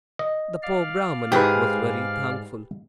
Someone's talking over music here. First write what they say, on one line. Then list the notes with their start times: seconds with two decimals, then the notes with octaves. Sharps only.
The poor Brahmani was very thankful.
0.19 D#5
0.63 D5 F5 F6
1.32 G#2 G4 G#4 B4